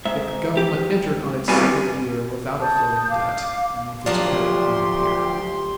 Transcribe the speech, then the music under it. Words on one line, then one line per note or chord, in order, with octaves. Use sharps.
Yet the Government entered on its second year without a floating debt and with its credit unimpaired.
G#2 E5
G4
C3 G3 B3 F#4 G#5 B5
A5 D#6 G6
F5 D6
D2 F3 F#3 G4 D5 C6